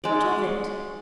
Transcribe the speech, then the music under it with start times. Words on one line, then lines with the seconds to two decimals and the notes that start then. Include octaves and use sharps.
What of it?'
0.04 G#3 D5